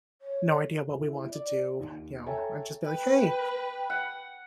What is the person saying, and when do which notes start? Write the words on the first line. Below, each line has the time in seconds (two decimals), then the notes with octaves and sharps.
no idea what we want to do, you know, I'd just be like, "Hey,
0.22 C#5
0.96 E4
1.30 D5
1.80 D#2
2.26 A4 C#5 E5 G5 G#5 A#5
2.85 B4 G5
3.90 F#5